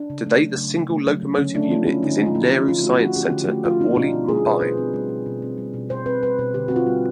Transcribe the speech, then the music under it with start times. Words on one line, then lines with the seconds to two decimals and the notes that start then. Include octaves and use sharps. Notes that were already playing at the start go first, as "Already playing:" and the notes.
Today the single locomotive unit is in Nehru Science center at Worli Mumbai.
Already playing: D4
0.10 C#3
0.26 A3
0.42 F#3
0.58 C#3
0.74 C#3
0.90 A3
1.06 F#3
1.23 C#3
1.38 D3 C#4
1.55 A3 D4
1.71 F3 F4
1.87 C#4 E4
2.03 D3 D#4
2.19 A3
2.26 F4
2.35 F3 E4
2.51 C#4
2.67 D3 F4
2.83 A3 F#4
3.00 F3 F#4
3.16 C#4 G4
3.32 D3
3.44 G4
3.48 A3 F#4
3.65 F3 F4
3.80 C#4 D#4
3.96 B2 D4
4.13 C4
4.29 G3 G#4
4.45 B2 B4
4.62 B2 C5
4.77 C4
4.94 G3
5.09 B2
5.26 B2
5.42 C4
5.58 G3
5.74 B2
5.89 B2 C5
6.06 C4 B4
6.23 G3 B4
6.39 B2 C5
6.54 D3 G4
6.68 C4 F#4
6.76 F4
6.86 G3